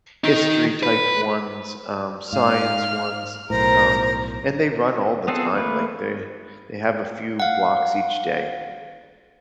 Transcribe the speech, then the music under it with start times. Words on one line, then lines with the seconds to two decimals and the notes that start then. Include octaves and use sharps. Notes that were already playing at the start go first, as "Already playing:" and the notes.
history type ones, um, science ones, um, and they run all the time, like, they they have a few blocks each day.
0.24 D#3 D#4
0.83 B4
2.33 G#2 F5 F6
3.50 B1 A2 A#4 C5 A#5
5.28 B3 C4 F4 G#4 A4
5.55 A3 A#3 B4
7.40 F5 F#5